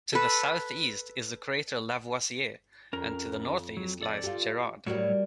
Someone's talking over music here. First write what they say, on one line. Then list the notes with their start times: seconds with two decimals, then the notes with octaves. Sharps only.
To the southeast is the crater Lavoisier, and to the northeast lies Gerard.
0.13 A4 B4
2.93 F2 C#4 A#4 A#5
3.77 F#3
4.02 A4 D5
4.24 F4 G4
4.86 A2 F#3 G3 A#3 F#4 C#5